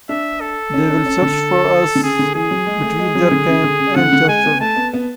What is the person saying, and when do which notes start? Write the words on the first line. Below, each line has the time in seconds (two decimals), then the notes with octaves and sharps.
They will search for us between their camp and Churchill.
0.09 D4 E5
0.41 A4
0.74 C#4
0.90 C#4
1.06 C#4
1.22 D3
1.95 D3
2.02 C#3 G#4
2.19 D3
2.35 E3 G#4
2.51 F#3
2.66 G#3
2.83 A3
2.99 G#3
3.15 F#3
3.31 D3
3.48 C#3
3.64 D3
3.80 C#3
3.96 D3 F#5
4.08 C#3
4.13 D3
4.28 G#3 G#5
4.44 B3
4.61 A3 A5
4.76 B3
4.93 B3